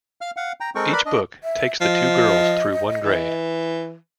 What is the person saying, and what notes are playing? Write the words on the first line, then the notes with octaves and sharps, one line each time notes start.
Each book takes the two girls through one grade.
F5 F6
F5 F#5
G5 A#5
G#3 C4 A4 A#4 G5 C#6
A#4 B4 D5 B5
D4 D#5
E5
F3 D#5
E3